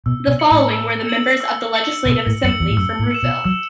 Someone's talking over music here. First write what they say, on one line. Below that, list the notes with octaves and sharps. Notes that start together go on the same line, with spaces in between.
The following were the members of the Legislative Assembly from Rouville.
B2 E6
B2
C#7 F#7
A2
E6
C#7 F#7
E6
C#7 F#7
C#3
B2 E6
A2
F#2 C#7 F#7
E2
A2
F#2 E6
A2
C#7 E7
B2
F#3 E6